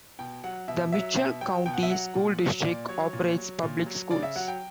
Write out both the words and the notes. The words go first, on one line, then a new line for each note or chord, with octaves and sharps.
The Mitchell County School District operates public schools.
B2 G5
F#3 F#5
B2 E5
F#3 E5
B2 E5
F#3 G5
B2 G5
F#5
E5
F#3 F#5
A#2
F#3
A#2 D5
F#3 C#5
A#2
F#3
A#2
F#3
C#3 D5
E5
F#3 F#5
G5